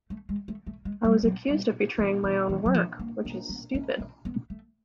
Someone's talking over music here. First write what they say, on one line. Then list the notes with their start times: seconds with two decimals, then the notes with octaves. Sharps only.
I was accused of betraying my own work, which is stupid.
0.10 A3
0.29 G#3
0.48 A3
0.67 A3
0.85 G#3
1.04 G3
1.23 F#3
1.48 G3
1.99 E3
2.24 E3
2.49 E3
2.66 F#3
2.74 F3
2.99 A#3
3.25 B3
3.49 B3
3.75 C#4
4.00 C4
4.25 B3
4.50 A3